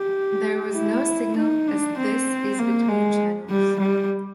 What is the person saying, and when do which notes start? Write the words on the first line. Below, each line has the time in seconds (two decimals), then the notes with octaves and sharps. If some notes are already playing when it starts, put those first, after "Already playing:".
There was no signal, as this is between channels.
Already playing: G4
0.76 E4
1.37 D#4
1.68 D4
1.98 C4
2.59 A#3
2.89 G#3
3.50 G3
3.80 G3